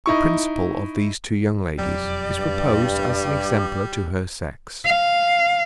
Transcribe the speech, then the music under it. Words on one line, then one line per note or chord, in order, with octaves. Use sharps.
The principle of these two young ladies is proposed as an exemplar to her sex.
D#4 E4 C#6
E1 F2 F#3 G3 D5
G2
F5